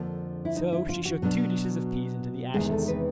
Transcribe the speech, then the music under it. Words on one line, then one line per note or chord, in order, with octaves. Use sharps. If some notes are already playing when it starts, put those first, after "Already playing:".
So she shook two dishes of peas into the ashes.
Already playing: F2 D3 F3 A#3
E4
D#4
E4
F4
F#4
B2 F#3 B3 D4
E2 C3 D#3 G#3 G#4
A4
B4